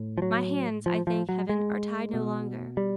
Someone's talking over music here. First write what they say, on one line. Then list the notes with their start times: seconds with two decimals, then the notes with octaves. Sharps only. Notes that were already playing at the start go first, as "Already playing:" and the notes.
My hands, I thank Heaven, are tied no longer.
Already playing: A2
0.18 F3
0.22 F#3
0.86 F3
1.07 F3
1.29 F#3
1.49 G#3
2.14 B2
2.77 G3